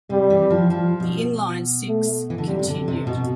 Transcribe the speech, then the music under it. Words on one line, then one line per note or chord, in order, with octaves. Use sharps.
The inline six continued.
C3 G3
E3
F3
F3
B2
A3
E3
D3
C3 G3
C3
D3
C3
B2